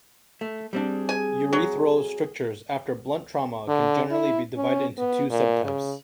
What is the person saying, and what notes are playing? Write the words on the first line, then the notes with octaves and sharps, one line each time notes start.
Urethral strictures after blunt trauma can generally be divided into two sub-types.
A3
G3 C4 D4 G#4
G#5
F#3
D3
E4
C#4
B3
A#2
C#3